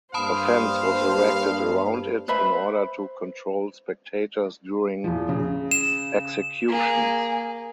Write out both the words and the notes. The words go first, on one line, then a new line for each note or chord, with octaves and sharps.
A fence was erected around it in order to control spectators during executions.
G2 A#3 C5 F5 A5 B5 D#6
B4 C5 E5 B5
E2 F3
C#3
E7
A#3 G#4